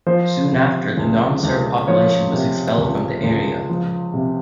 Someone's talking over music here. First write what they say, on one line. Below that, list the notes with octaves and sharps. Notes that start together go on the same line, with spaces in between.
Soon after, the non-Serb population was expelled from the area.
F3 C5
C3
C#2
C#2
F3 C#5
C3
C#2
C#2
F3
C3